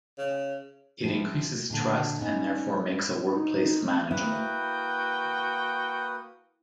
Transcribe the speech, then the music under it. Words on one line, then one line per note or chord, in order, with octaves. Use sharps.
It increases trust and therefore makes a workplace manageable.
C#3
F3 C4 E4
A#2 D3
B3 C#4 D#4
D#4
A#3 E4 F#4 B4 G5 D#6